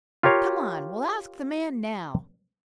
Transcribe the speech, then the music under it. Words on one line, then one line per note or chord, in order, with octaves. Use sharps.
"Come on, we'll ask the man now."
F4 G4 A#4 C#5 F5